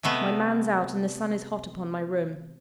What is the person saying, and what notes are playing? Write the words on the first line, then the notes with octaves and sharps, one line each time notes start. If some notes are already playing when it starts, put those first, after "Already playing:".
My man's out, and the sun is hot upon my room.
C3 G#3 A3 B3